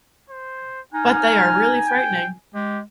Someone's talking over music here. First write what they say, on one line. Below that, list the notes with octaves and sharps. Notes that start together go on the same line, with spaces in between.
But they are really frightening.
C5
D#4 G#5 F6
G5
G#3 G4